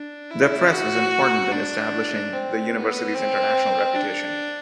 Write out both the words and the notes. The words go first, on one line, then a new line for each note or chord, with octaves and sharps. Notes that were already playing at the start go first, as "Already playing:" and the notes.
The Press was important in establishing the university's international reputation.
Already playing: D4
E4
F#4
D4
C4
B3
C4
D4